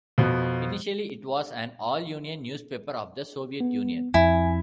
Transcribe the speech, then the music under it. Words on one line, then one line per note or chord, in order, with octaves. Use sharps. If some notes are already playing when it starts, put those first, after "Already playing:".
Initially it was an all-Union newspaper of the Soviet Union.
F2 B2
B3
F2 E4 G#5